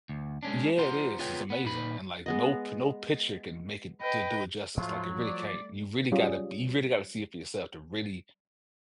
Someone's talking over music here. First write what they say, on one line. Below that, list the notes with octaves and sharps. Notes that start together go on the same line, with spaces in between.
Yeah, it is, it's amazing, and like, no p no picture can make it to do it justice, like, it really can't, you really gotta be you really gotta see it for yourself to really
D2
G#3 C#4 D4
F4 C5 F#5 A#5 C6
B3 F4 G#4 B4 C#5 G5
B3
A#2 D#4 B4 B5
G#3 B3 D#5
B4 D#5 G5
G#2 F3 F#3 A3 F4
G3 A3 D5
F#3 G3 C#4 F4 G#4